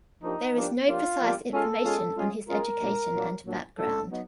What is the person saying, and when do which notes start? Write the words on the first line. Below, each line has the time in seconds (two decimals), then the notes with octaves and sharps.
There is no precise information on his education and background.
0.23 F3 A#3 D4 D#4 G4
0.55 F3 A#3 D4 G4
0.88 F3 A#3 D4 F4 G4
1.20 F3 A#3 D4 G4
1.53 G#3 C#4 F4 G#4 A4
1.84 G#3 C#4 F4 G#4
2.17 G#3 C#4 F4 G#4
2.49 G#3 C#4 F4 G#4 A#4
2.81 A#2 F#3 A#3 D4
3.13 A#2 F#3 A#3 D4
3.46 A#2 F#3 A#3 D4
3.78 A#2 F#3 A#3 D4 A4
4.11 F#3 B3 D#4